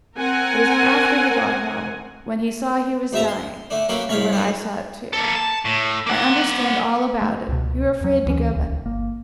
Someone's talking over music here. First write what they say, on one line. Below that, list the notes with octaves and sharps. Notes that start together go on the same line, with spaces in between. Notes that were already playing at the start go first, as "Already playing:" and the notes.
It was after he got home--when he saw he was dying, and when I saw it too. I understand all about it: you're afraid to go back.
C4 A#4 F#5 G#5
D2 G#2 E5 A5 A#5
C6
D3 A3 D4
F#3 A#3 C#4 G4 A4 B4
C2 G#2 C#5 F5 B5 C#6
F#2 G3 B3
A#3 A4
A5
A2
A#3 F#5
A3
C#2 B2
E2 F#3
D2 E3 C#4
D#1 C#2
G1 A#3